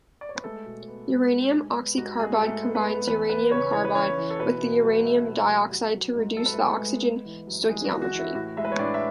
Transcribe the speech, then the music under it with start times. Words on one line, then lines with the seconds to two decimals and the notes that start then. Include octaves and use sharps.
Uranium oxycarbide combines uranium carbide with the uranium dioxide to reduce the oxygen stoichiometry.
0.21 D5
0.29 C#5
0.36 B4
0.44 G#3 A3 A4
0.66 B2
0.88 B3
1.09 G#3
1.32 G#3
1.54 G#3
1.76 B3
1.97 G#2 F#4
2.19 G#2 G#3 G#4
2.36 G#4
2.41 G#2 A3 A4
2.64 B3
2.75 B3 B4
2.86 B3
3.07 E2 B3 B4
3.30 B3 B4
3.51 C#3 C#4 C#5
3.73 E3 C#5
3.85 B4
3.95 E3 C#4 C#5
4.17 E3
4.30 A4
4.39 B2 B3 B4
4.62 B2
4.83 F#3
5.05 A3
5.28 B2
5.49 F#3
5.71 F#3
5.93 F#3
6.15 G#2
6.37 F#3 A4
6.46 B4
6.53 A3 A4
6.59 G#2
6.71 G#3 G#4
6.81 G#2
7.03 B3
7.25 E3
7.47 F#2
7.68 E3 G#3 G#4
7.85 F#4
7.91 E3
8.02 F#4
8.13 E3
8.19 E4
8.35 A2 F#4
8.57 G#3 E4 E5
8.65 B4
8.72 C#5
8.79 A2 D4 D5
8.94 E5